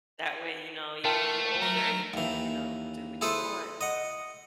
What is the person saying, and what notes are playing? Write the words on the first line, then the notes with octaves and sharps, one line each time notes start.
That way, you know, even when you older, you can, you know, do what you want,
A3 F4 A#4 G5 A5
F#3 A#4
D#2 E3
E4 G#4 A4 B4 C5
D#5 F#5